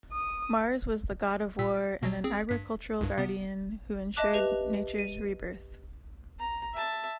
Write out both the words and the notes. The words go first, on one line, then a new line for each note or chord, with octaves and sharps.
Mars was the god of war and an agricultural guardian, who ensured nature's rebirth.
D#6
A#2 E6 B6
B2 F#3
C4 G#4
G2 B6
C2 G2
C3 B3
D#5 E5 A5 D6 F#6
G4 B4 F7
D#7
A#5
E5 A5